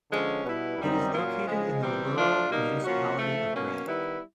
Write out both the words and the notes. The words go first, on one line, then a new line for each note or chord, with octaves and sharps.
It is located in the Rural Municipality of Grey.
D3 F3 G#3 C#4
B2 G3 B3 E4
F#2 D#3 G3 C4 D#4
A#2 F#3 A#3 C#4 F4
C#3 F3 G#3
C3 E3 G3 C4
F3 A3 D4 F4
B2 G3 A#3 D#4
F3 A#3 C#4 F#4
C#3 F3 A3
B2 F#3 A#3 C#4
D#3 G3 B3 E4